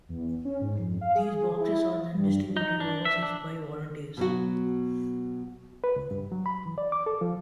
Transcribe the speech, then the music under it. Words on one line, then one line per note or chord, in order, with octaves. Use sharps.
These boxes are then distributed overseas by volunteers.
E2
C#4
G#2
F2
F5
G#4
E4
G2
D#4
D4
E5
D4
B2 F#3 F#4
B4
C#2
G2
F#3
B5
E3
D5
D6
A4
F3